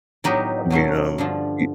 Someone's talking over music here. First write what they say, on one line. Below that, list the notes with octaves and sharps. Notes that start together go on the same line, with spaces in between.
I mean, um, y
A2 F#3 B3 D#4 G4
B2 F#3 A3 C#4
G2 D3 F3